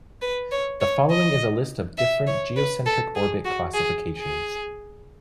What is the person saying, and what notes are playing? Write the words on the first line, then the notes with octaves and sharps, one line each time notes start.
The following is a list of different geocentric orbit classifications.
B4
C#5
C#5
D#5
E5
C#5
B4
A4
G#4
F#4
G#4
G#4